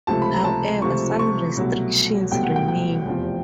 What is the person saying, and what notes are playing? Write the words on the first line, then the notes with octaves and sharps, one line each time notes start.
However, some restrictions remain.
C#2 C3 F3 A3 A5
B5
A#5
A5
C#2 C3 F3 A3 C#6
C#6
C2 B2 F#3 A3
C2 B2 F#3 A3 G5
F#5
G5
G5
F1 E2 C3 F3